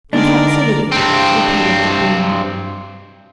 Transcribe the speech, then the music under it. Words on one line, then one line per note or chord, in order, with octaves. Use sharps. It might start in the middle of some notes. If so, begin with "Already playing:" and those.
"In captivity," repeated the queen.
D3 D#3 G#3 D4 A#4 D5
G2 C4